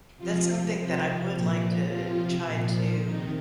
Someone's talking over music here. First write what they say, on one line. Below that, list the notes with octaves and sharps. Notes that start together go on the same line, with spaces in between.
that's something that I would like to try to
C3 F3 F4
C3 F3
A#2 F3
C3 F3 F4
A#2 F3
C3 D#3 D#4